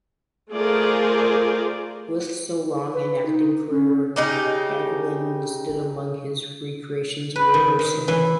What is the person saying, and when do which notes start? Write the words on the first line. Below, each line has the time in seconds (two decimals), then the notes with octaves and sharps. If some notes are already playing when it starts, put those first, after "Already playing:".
With so long an acting career Haviland listed among his recreations "rehearsing".
0.53 A3 F4 G#4 A#4 C5 D5
2.94 B4
3.26 D#4
3.70 C#4
4.16 C#3 D#4 G4
7.36 B4
7.54 D#3
7.79 D#3
8.08 E3